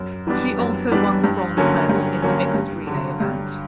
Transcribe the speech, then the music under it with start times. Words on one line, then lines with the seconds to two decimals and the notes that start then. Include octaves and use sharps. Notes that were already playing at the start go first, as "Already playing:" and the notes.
She also won the bronze medal in the mixed relay event.
Already playing: F#2
0.27 E3 G3 B3 D4
0.59 F#2
0.91 E3 G3 B3 D4
1.24 G2
1.57 D3 F#3 A#3 C#4
1.89 G2
2.22 D3 F#3 A#3 C#4
2.54 G2
2.87 D3 F#3
3.20 G2